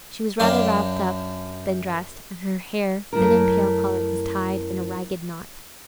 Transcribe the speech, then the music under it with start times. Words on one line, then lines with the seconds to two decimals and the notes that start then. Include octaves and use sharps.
She was rather wrapped up than dressed, and her hair, thin and pale-coloured, was tied in a ragged knot.
0.39 F#2 D4 F5 G5
3.13 F#2 A3 E4 A#4